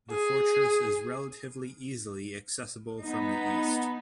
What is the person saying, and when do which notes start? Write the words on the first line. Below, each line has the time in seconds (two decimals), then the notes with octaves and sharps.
The fortress is relatively easily accessible from the east.
0.11 G#4
3.02 B3 D#4